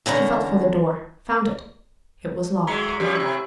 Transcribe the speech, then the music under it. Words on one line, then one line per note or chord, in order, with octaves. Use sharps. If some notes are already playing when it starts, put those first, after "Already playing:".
She felt for the door, found it--it was locked.
E2 D3 C#4 A#5
A2 F#3 G#3 A#5 B6 C#7
F2 F3 G3 G4
A2 C3 E6